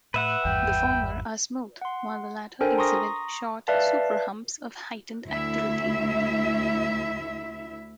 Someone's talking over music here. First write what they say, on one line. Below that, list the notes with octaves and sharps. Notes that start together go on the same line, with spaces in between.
The former are smooth, while the latter exhibit short "superhumps" of heightened activity.
A2 B4 E5 F#5
G#1 E2 G2 G5
F#5 C6
D4 A4 A#4 C5 G5 G#5
A#5 C6 C#6 D#6 A#6
B4 D5 E5 F5 A5
D2 E4 E5